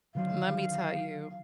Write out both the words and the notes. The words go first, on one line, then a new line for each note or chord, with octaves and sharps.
Let me tell you,
D3 D#3 F#3 F5